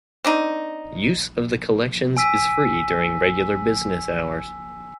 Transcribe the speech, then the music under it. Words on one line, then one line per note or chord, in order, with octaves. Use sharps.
Use of the collections is free during regular business hours.
C4 D4 D#4
G#5 E6 B6 D#7